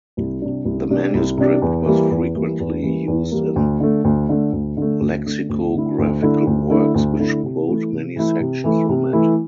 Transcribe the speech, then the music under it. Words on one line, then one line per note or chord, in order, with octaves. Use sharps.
The manuscript was frequently used in lexicographical works which quote many sections from it.
C2
C3 G3 D4
C2
C3 G3 D4
C2
C3 G3 D4
E2
E3 G3 A#3
E2
E3 G3 A#3
E2
E3 G3 A#3
E2
E3 G3 A#3
D2
D3 A3
D2
D3 A3
D2
D3 A3
D2
D3 A3
D2
D3 A3 E4
D2
D3 A3 E4
D2
D3 A3 E4
D2
D3 A3 E4
C3
E3 A3 E4
C3
E3 A3 E4
C3
E3 A3 E4
C3
E3 A3 E4